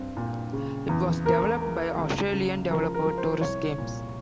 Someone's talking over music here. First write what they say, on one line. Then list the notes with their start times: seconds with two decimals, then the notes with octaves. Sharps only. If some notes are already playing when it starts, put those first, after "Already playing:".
It was developed by Australian developer Torus Games.
Already playing: G2 C4
0.17 A#2
0.53 C#3
0.89 E2
1.25 A#3 A#4
1.61 A#3
1.98 C#2
2.33 C#3
2.70 F3 A#4
2.94 A#4
3.06 F3
3.18 C5
3.41 C2 C#5
3.78 A#2